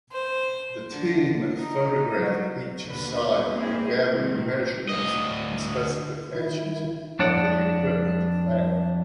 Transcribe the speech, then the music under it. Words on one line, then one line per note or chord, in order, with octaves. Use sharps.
The team photographed each site and gathered measurements and specifications of the equipment found.
C5
D3
D#4
F#3
D#2 B2 D3 B4
A#3 C4 E4 G4 G#4
C3 D#3 C4
D2 D#5
D#3 E4
F2 D4 D5 F#5